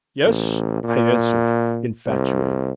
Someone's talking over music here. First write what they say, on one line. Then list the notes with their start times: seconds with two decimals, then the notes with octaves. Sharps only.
"Yes," I answered, infatuated.
0.25 A1
0.83 A#2
2.06 C2